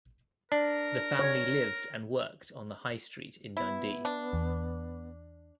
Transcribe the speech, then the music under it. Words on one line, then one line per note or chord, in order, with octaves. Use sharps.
The family lived and worked on the High Street in Dundee.
D4 A#4
C#5
B3 E4
D4
E2